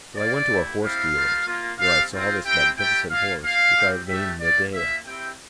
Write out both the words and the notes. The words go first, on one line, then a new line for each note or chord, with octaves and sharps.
Well, I went to a horse dealer's, where I saw this magnificent horse, which I have named Medeah.
A#3 F4 D5
A3 E4 G4
G3 C4 E4 G4 F5
G3 A#3 F4
A#3 F4
G3 C4 G4 F5
C4 F4
C4 E4 G4 G5
A3 E4 G4 G5
A#3 F4 F5
A#3 F4 F5
G3 C4 G4
A3 D4 G4 E5
A#3 F4 D5
A#3 F4 E5
C4 E4 G4 G5